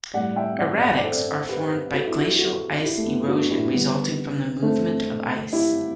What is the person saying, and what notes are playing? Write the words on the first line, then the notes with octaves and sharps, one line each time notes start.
Erratics are formed by glacial ice erosion resulting from the movement of ice.
A2 G3 D5 F#5
E5 G5
D5 F#5
F#5
G5
D5 F#5
A4 C5
G4 B4
F#4 A4
E4
F#4
G4
F#4 A4
E4 G4
A3
B3
D4 F#4
E4 G4
D3 G3 B3
A3 C4
E4 G4